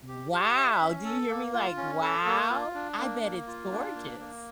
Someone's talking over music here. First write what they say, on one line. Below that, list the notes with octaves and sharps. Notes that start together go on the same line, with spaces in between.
Wow! Do you hear me? Like, wow, I bet it's gorgeous.
G4
G4
E5
C#4
A4
A#3
F4
C#4
A4
A#3
F4
D4
A#3
A#3
F4
D4
A#3
A#3